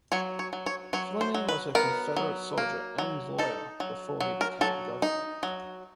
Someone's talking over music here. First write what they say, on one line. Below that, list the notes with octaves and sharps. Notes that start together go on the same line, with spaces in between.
Fleming was a Confederate soldier and lawyer before he became governor.
F#3 C#5
C#5
F#3
C#5
F#3 C#5
C5
F#3
B4
B3 A#4
F#3
A#3
F#3
D#4 A4
F#3
F#3
A#4
F#3 A4
D#4
F#3